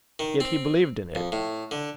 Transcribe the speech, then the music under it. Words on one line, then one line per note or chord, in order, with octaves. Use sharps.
Yet he believed in it.
D#3
C4
F2
A2
D3